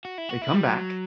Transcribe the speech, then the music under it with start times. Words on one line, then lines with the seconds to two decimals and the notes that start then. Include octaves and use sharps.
they come back,
0.05 F#4
0.18 E4
0.29 F#4
0.42 E4
0.54 G3
0.67 F#3